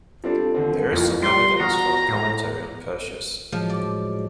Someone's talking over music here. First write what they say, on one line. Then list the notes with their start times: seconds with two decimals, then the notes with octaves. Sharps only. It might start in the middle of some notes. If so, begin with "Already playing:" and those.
There is some evidence for a commentary on Persius.
0.24 G3 C4 D4 F4 A4
0.54 D#2 D3 C4
0.92 F2 E3 A#3 F4
1.22 G3 C6
1.60 E2 F#4 A#5 D#6 F6
2.08 A2
3.52 A2 F3 F#3 G#3
3.69 D5